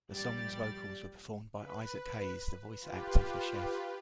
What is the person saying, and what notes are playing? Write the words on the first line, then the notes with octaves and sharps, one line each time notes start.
The song's vocals were performed by Isaac Hayes, the voice actor for Chef.
A#1 G3 G4 D5 A6
B4
F4 G4 B4